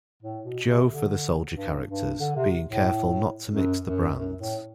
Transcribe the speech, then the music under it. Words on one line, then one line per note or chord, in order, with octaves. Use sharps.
Joe for the soldier characters, being careful not to mix the brands.
A2
B2
C3
D3
G2
G2
D3
C3
A2
F#2
F#2
F#2
A2